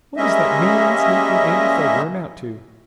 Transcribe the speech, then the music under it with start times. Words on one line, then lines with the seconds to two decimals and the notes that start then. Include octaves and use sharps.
What does that mean, sneaking Andy Foger amount to?
0.17 G3 G#3 A#3 C#4 D#5 E5